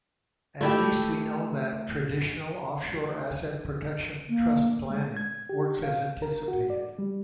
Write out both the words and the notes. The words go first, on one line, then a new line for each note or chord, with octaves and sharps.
At least we know that traditional offshore asset protection trust planning works as anticipated.
A3 E4 G4
A#3
G#3
G#6
G4
F5
A#4
F#4
D5
G3